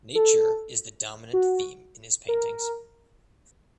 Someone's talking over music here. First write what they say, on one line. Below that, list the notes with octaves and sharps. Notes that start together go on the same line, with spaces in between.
Nature is the dominant theme in his paintings.
A4
F#4
A#4